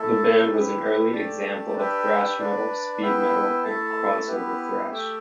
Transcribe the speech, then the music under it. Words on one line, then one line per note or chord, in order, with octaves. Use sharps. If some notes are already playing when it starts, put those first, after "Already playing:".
The band was an early example of thrash metal, speed metal and crossover thrash.
Already playing: A3 E4 A4 E5 A5
E4 G4 B4
A3 G4 D5 A5
D4 G4 B4 E5 G5
D4 B4 D5
B3 E4 B4 E5 G5
A3 E4 A4 E5 A5
B3 E4 G4 B4
A3 G4 E5 G5